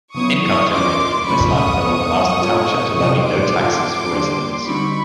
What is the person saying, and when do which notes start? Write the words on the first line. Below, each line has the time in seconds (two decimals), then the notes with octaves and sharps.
Income generated from this landfill allows the township to levy no taxes for residents.
0.15 C#3 F#3 B3 E4 C#6 D#6
0.43 C#6 D#6
0.71 A3 C#4 F4 A#4 D#5 C6 D6
1.28 C#3 F3 A3 C#4 F4 B5 C#6
1.56 C#6 D#6
1.85 B2 G#3 B3
2.41 C4 F4 A4 C#5 E5
2.97 C3 E3 G3 C4 D#4 C#6 D#6
3.26 C6 D6
3.54 C4 F4 A4
4.10 D3 G3 A#3 D4 G4
4.67 D3 G3 C4 D#4 F#4 B5 C#6